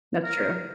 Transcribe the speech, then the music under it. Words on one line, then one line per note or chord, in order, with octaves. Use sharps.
That's true.
A#4